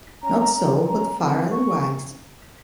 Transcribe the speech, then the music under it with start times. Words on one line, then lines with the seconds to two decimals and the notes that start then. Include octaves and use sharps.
Not so, but far otherwise.
0.23 C#4 A#5
0.39 A#5
0.54 C#4 A#5
0.87 C#4 A#5
1.19 C4
1.52 C#6